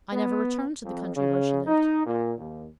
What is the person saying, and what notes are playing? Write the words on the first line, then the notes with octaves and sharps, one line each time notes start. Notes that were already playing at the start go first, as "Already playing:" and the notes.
"I never returned to the country where she lived."
B3
F2
C#3
D#4
A#2
D#2